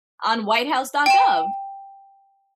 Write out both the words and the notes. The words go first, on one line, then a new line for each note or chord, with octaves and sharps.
On whitehouse.gov.
G5 E7